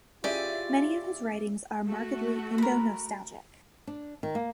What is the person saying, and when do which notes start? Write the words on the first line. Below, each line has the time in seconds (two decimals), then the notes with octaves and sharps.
Many of his writings are markedly "Indo-nostalgic".
0.24 C#4 E4 F4 G4 G#4 D5 D#7
1.88 A3 F#4
2.58 A#4 B5
3.87 D4
4.23 D#3
4.35 A#3